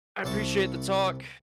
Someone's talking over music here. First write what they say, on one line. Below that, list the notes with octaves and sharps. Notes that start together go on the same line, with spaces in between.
I appreciate the talk.
C2 C3 A5 C#6